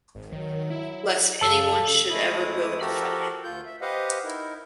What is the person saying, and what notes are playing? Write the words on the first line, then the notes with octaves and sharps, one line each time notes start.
Lest anyone should ever go to fight him.
G#1
D#3 F#3
E4
F#2 C#3 A4 A5 E6
F2 G#3 A3 E4 D#6
F3 F#4 G4 A4 A#4
D2 F4 G6
E5
G4 B4 C5 D#5 F5 F#5
D#4 E4 A#4